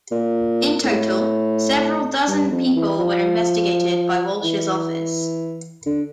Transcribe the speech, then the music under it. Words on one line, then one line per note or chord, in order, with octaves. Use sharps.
In total, several dozen people were investigated by Walsh's office.
A#2
A2
G2
F2
E3
F3
E3
D3